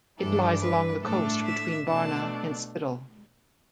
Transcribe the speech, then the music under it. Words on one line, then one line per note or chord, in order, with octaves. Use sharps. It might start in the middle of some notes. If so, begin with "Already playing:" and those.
It lies along the coast between Barna and Spiddal.
G2 E3 G3 D4 A4
B4
A2 A3 D4 A4
E5
B2 A3 D4 A5